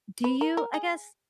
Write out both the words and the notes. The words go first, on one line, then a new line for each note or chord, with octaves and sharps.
do you I guess
B4
A#4
A#4
G#4